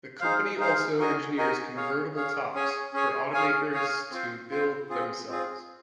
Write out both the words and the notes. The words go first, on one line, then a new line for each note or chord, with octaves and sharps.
The company also engineers convertible tops for automakers to build themselves.
D#4 G#4 C5 F5
D#4 G#4 C5 F5
D#4 F#4 A#4 D#5 G#5
D#4 F#4 A#4 D#5 G#5
G#4 C#5 F5
G#4 C#5 F5
C#4 G#4 C#5 G#5
C#4 G#4 C#5 G#5
G#4 C#5 F5 G#5
G#4 C#5 F5 G#5
C4 F4 C5
C4 F4 C5
C4 F4 G#4
C4 F4 G#4